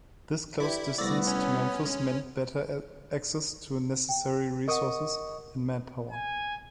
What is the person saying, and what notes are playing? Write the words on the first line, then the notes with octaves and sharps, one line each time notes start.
This close distance to Memphis meant better access to necessary resources and manpower.
E4 G4 B4 D5
C2 A3 B3 E4 D5 A#6
C#4
G#3
G5
A#4 D#5 F#5 C#6 D#6
G#5